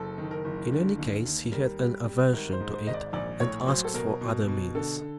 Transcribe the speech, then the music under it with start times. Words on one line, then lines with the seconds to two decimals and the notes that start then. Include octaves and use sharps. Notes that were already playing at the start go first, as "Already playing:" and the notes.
In any case he had an aversion to it and asked for other means.
Already playing: F#1 A4
0.18 D#3
0.31 A#4
0.45 F#1
0.72 D3
0.99 D#2
1.25 D#2
1.52 G3 A#4
1.79 G3
2.06 G3
2.33 G#1 A#4
2.52 C5
2.60 G#2
2.73 C5
2.87 G#1 D#5
2.94 D5
3.13 A#1 D5
3.40 A2 C#5
3.67 F#3 C5
3.84 A4
3.94 B2 A#4
4.21 B2
4.48 B2
4.75 D3 A4
5.01 D3